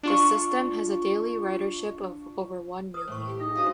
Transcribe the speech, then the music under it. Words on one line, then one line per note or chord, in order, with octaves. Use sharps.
The system has a daily ridership of over one million.
D4 F4 C#6
A#4 B4 D#6
A2 C5 C#6
G4
D#4 G#4 D#5
D4 F#4 C5 F5 D#6